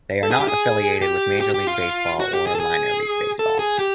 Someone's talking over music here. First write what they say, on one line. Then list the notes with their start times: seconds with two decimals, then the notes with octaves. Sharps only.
They are not affiliated with Major League Baseball or Minor League Baseball.
0.23 A4
0.31 G#4
0.40 G4
0.48 G#4
1.02 G4
1.41 G4
1.54 G4
1.67 F4
2.20 F#4
2.33 G4
2.47 G#4
2.55 A4
2.60 G#4
3.39 A4
3.59 G#4
3.79 G4